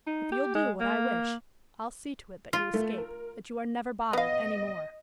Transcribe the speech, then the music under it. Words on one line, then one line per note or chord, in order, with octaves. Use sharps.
"If you'll do what I wish, I'll see to it that you escape--that you are never bothered any more."
D#4
G4
G#3
A#3
F4
A3
A#4
B3 D#5 F5